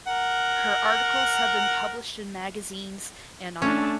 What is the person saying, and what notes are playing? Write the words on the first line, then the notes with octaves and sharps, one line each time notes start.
Her articles have been published in magazines and online.
A#4 F#5
A3 C#4 D4